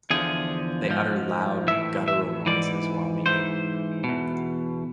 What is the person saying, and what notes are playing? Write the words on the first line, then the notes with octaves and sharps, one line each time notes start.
They utter loud guttural noises while mating.
E2 D3 F3 G#4
G#2 F3
A2 E3 E5
E5
G#2 E3 D5
G#2 E3 C5
B2
E2